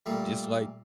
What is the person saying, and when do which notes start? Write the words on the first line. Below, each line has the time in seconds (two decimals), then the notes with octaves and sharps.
just, like,
0.06 A#2 G3 A3